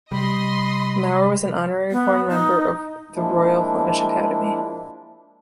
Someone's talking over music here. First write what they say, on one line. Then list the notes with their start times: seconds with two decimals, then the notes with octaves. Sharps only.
Mawer was an honorary foreign member of the Royal Flemish Academy.
0.12 C3 G3 D#5 B5 C6
1.91 B3
2.30 D#4
3.16 F3 G#3 A#3 D4 E4